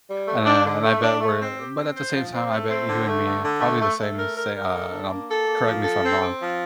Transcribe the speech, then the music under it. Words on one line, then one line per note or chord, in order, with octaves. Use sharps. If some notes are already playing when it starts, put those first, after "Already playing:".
And I and I bet we're but at the same time, I bet you and me probably the same as say a and I'm correct me if I'm wrong,
G3
A3
D4
D3
A3
D4
A3
C4
G4
C4
C5
F3
C4
A3
C4
D3
A3
D3
D3
A3
A3
A3
A#4
A#4
A#4
A4
D4
A#3
A4
A#3
F3
A4
C4
C4
F3